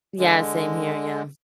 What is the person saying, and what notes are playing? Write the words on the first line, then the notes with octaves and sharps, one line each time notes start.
Yeah, same here, yeah.
D3 G#3